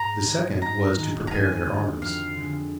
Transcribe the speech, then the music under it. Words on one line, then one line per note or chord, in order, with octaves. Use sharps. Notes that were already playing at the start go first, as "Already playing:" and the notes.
The second was to prepare their arms.
Already playing: G#2 A#5
D#3 G#3 D#4 F#4
G#2 A#5
D#3 G#3 D#4 F#4
A#5
F2 G#5
D3 G#3
F2 F5
D3 G#3